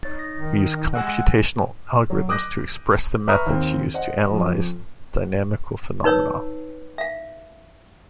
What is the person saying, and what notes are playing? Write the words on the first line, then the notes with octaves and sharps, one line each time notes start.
We use computational algorithms to express the methods used to analyze dynamical phenomena.
D#4 C#5 A6
A#6
D#3
G#3 F#5 G#5 E6 F#6
F#3
D6 D#6 F#6 G6 A#6
B4 E5 A#5 C#6 D#6 F6
D#2 C4
C5 D#5 F#5
F2 F3
D#4 B4 C#5 E6
E5 F5